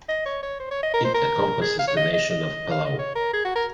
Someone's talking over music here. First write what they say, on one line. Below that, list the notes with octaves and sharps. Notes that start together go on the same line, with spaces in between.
It encompasses the nation of Palau.
D#5
C#5
C#5
C5
C#5
D#5
A#4
C5
A#4
G#4
F5
C#5
D#5
D#5
D#5
F5
D#5
C#5
A#4
G#4
F#4
A#4